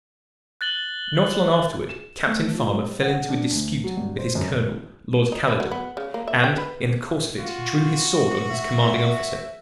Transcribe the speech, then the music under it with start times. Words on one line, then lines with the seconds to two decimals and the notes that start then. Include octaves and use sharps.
Not long afterward Captain Farmer fell into a dispute with his colonel, Lord Caledon, and in the course of it he drew his sword on his commanding officer.
0.61 F#6 A6 F#7 G7
1.89 E7
2.26 A3
2.54 F3
2.74 G3
3.02 F#5
3.28 D4
3.51 D2
3.84 F#3
3.97 G2
4.19 C5
4.35 F#2
5.32 D#4
5.48 E4
5.60 F#3
5.72 B3
5.97 C#3
6.14 A#3
6.28 E5
6.44 G5
6.58 B4
7.39 F4 F#4
8.50 E5